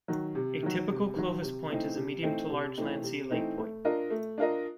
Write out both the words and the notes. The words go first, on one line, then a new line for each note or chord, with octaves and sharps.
A typical Clovis point is a medium to large lanceolate point.
D#3 F#3
C3
D#3 F#3
C3
D#3 F#3
C3
E3 A3 C4 D#4
C3
E3 A3 C4 D#4
C3
E3 A3 C4 D#4
C3
E3 A3 C4 D#4
A3
D4 F4 A#4 D#5
A3
D4 F4 A#4 D#5